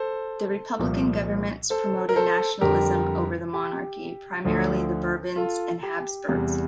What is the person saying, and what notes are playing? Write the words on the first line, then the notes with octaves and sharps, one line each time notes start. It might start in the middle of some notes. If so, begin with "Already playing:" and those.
The republican governments promoted nationalism over the monarchy, primarily the Bourbons and Habsburgs.
Already playing: A4 C5
C2 A#2 F3
A4 C5
A#4
A4 C5
F2 D3 G3 G4 A#4
G4
D2 D3 F3
F4 A4
G4
E2 C3 G3